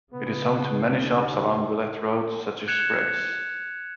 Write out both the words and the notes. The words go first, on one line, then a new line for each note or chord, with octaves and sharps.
It is home to many shops along Villette Road such as Gregg's.
C#3 B3
D#2
F#6 G#6 C#7 E7 F7